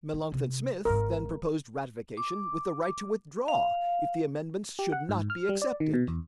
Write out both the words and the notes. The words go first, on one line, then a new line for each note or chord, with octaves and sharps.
Melancthon Smith then proposed ratification with the right to withdraw if the amendments should not be accepted.
E4
C3 D#3
G#1 G#2 A#4
D6
F5
G4
F#5
G#2
F6
G3
D5
D#3
B2
E2